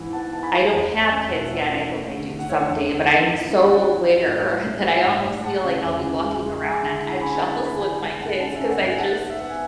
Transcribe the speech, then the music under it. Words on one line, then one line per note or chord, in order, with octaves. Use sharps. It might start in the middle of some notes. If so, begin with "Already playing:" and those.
I don't have kids yet- I hope I do someday- but I am so aware, that I almost feel like I'll be walking around on eggshells with my kids, 'cause I just
Already playing: G#2 E3 E4
B3 F#5 A5
E3 A5
G#5 B5
B3
G#5
E2 F#5 A5
A3
E5 G#5
C#4
G#5
B2 F#5
E5
C#4 D5 F#5
C#4
A3
D3
D3
F#5
D3 C#5 E5
E2
D3
E4
G#2
C#4
F#3 D5 F#5
E4
F#3
A2
D4
G#3
G#3 E5 G#5
A2
A2
G#3 F#5 A5
C#3
E2
C#3
G#3
G#3
G#3 E5 G#5
D3
E4
C#4 G#5 B5
F#5 A5
E4
F#5 A5
D3 G#5 B5
E3 G#5 B5
G#3 F#5 A5
G#2 F#5 A5
C#4 F#5 A5
E5 G#5
C#4
D5 F#5
G#2 E5 G#5
B3 F#5 A5
B3
E5
B3 F#5
G#5